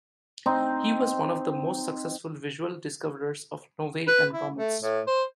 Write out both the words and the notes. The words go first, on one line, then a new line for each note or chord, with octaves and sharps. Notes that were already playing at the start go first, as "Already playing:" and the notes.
He was one of the most successful visual discoverers of novae and comets.
C4 D#4
B4
E4
A3
A2
C5